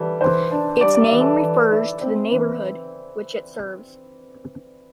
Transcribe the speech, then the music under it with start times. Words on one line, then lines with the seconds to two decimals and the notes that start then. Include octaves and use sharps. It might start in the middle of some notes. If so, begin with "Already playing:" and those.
Its name refers to the neighborhood which it serves.
Already playing: E3 G3 A4
0.21 E3 C5
0.51 D4
0.81 G3 D5
0.94 D5
1.01 E5
1.11 E3
1.21 A4
1.41 E3
1.71 E4
2.01 C4
2.32 E3